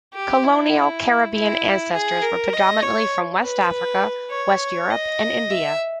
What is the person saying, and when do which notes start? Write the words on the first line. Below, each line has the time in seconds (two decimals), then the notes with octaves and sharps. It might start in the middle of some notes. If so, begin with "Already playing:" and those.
Colonial Caribbean ancestors were predominantly from West Africa, West Europe, and India.
0.14 G4
0.44 E4
1.34 E4
1.93 G#4
2.22 A#4
2.53 D#5
2.83 C#5
3.42 B4
4.31 C#5
4.90 D#5
5.50 E5